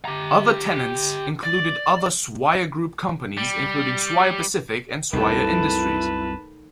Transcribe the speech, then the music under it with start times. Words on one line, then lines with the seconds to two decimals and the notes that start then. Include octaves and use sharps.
Other tenants included other Swire group companies, including Swire Pacific and Swire Industries.
0.05 G4 A#5
1.43 D5
3.37 G3
5.13 C2 F#2 D#3 A3 E4 B4 A5